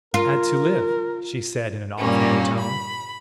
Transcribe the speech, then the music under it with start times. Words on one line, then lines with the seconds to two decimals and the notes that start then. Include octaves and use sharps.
"I had to live," she said in an off-hand tone.
0.14 F4 A#4
1.99 G2 A#2 G3 A#3 C#4
2.61 B5